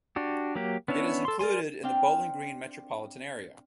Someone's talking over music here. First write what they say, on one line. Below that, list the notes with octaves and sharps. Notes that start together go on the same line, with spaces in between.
It is included in the Bowling Green metropolitan area.
D4 F#4 G4
F#3 A#3 G4
B3 C#4 D4 E4 C#5
A4 C6
A#4 D5 G#5 C6
C4 D4 F5 G5